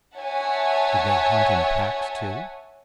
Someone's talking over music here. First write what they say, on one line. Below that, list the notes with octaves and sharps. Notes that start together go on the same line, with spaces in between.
Did they hunt in packs, too?
C#5 E5 F#5 G#5 A5